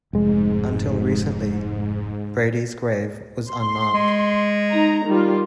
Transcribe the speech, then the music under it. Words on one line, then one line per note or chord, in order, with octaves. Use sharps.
Until recently, Brady's grave was unmarked.
F1 G#2 G#3
C6
G#3
D#4 A#5
D#3 G3 F4